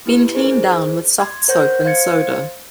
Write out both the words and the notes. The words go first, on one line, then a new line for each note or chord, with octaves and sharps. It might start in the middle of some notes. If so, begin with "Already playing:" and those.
Been cleaned down with soft soap and soda.
A#3 E4 G4 B4
D#4 G#4 A#4 C5
C6 G#6
A#4 C5 C#5 F#5 G6 A#6
C5 F5 C6 G#6 A6 C#7